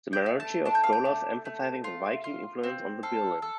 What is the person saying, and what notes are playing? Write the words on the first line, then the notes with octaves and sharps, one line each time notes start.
The majority of scholars emphasise the Viking influence on the birlinn.
G5
A3
A5
D4 A5
G5
F5
G5
A3
A3
F4
F4
C4
A4 F5
A4